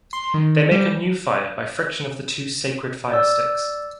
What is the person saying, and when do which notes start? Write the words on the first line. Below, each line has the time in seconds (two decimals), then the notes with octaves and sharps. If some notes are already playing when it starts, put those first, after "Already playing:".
They make a new fire by friction of the two sacred fire-sticks.
0.13 C6
0.34 D#3
0.71 G3
3.12 D5 E6